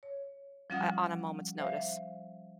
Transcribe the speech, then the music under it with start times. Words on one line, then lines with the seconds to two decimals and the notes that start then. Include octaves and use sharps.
uh, on a moment's notice.
0.03 C#5
0.70 F3 G3 C#4 F4 F#5 D#6
1.58 C5 E5 F5